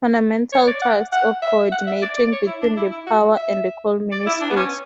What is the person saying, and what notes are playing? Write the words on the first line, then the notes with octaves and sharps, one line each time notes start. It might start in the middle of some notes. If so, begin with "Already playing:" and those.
Fundamental task of coordinating between the power and the coal ministries.
C#5
D5
F#5
F#5
E5
F#5
E5
D5
D5
C#5
E4
D4
E4
E4
F#4
E5
D5
E4
D4
B3
C#4